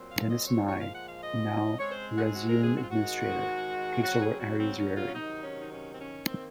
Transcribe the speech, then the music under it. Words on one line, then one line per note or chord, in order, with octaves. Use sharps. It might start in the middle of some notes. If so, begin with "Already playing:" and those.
Denys Nye, now Reseune Administrator, takes over Ari's rearing.
Already playing: A#2 F#3 C4
F5
D#5
C#5
A#2 F3 G#3 C#5
F5
F#5
F5
D#5
C#3 G#3 C4 C#5
C5
F#4
G#4
F#4
A#4
G#4
F#4
F4
G#2 D#3 G#3 F#4
C#3 F#3 C4 F#4
G#4
F#4
C4
C#4
F4
C#4
C3 D#3 F#3 D#4
C#4
D#4
C#4
C4
C#4
D#3 A#3 C4